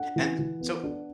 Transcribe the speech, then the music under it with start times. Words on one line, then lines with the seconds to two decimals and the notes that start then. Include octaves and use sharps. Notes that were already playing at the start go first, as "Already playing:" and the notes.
And so
Already playing: D4 F#5
0.16 E3
0.39 E3
0.60 B3
0.83 D4